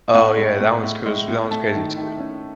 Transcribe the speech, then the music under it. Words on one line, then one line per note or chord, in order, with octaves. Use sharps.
Oh yeah, that one's cruz that one's crazy too.
A2 F#5
G#3
A2
A2
G#3
A2
A3 A5
D#3
D#3
C#4